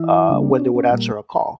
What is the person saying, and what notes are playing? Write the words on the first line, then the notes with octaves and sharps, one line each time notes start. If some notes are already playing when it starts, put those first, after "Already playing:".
uh, when they would answer a call.
Already playing: E3 E4
C#3 G3 A#3 D4
C#4
C#4
A#2 G3 A#3